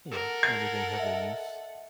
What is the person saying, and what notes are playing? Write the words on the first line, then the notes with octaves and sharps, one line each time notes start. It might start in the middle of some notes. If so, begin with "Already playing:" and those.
Yeah, everything has a use
A4 A#4 F#5
G#6 C7
D#5 E5